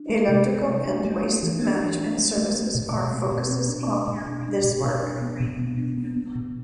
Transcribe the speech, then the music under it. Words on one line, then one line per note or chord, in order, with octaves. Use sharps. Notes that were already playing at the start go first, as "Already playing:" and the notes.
Electrical and waste management services are focuses of this work.
Already playing: D4
G#3
C3
G#3
A3
D4
A3
A3
E3
D4
D4
D4
A3
A3
A3
B2
B2
C4
B2
C4
D4
D4
B2
D4
D4
B2
B2
D4
B3
B2
B3
D4
B3
B3
B2